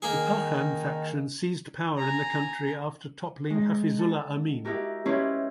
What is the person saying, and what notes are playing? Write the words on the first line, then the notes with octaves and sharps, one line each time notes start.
The Parcham faction seized power in the country after toppling Hafizullah Amin.
D#3 A#3 D#4 G#4
G#5 A#5
G#3 D#4
A4
D#4 E4 F#4 G4 A#4
C#4 D#4 E4 G4 B4 C5